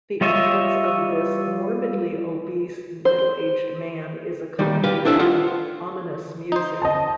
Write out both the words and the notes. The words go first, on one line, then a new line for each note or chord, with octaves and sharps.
The entrance of this morbidly obese middle-aged man is accompanied by ominous music.
G3 F4 C#5 D#5 E5
C5
D#3 G3 D#4
G4 B4 F5
D4 E4 A4 C5 E5
F4 F#5
D#4 C5
D#5 A5